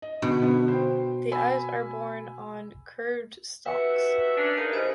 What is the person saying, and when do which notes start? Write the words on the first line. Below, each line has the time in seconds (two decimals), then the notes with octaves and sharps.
The eyes are borne on curved stalks.
0.02 D#5
0.22 B2 D3
0.41 D3 B3
0.68 C5 G5
1.32 G#5 B5 E6
3.66 D#2 F#4 B4 E5
4.37 C#4 D4
4.57 C#3 A#3 D#4 A#4
4.73 C#3 E4 G4 C5 D#5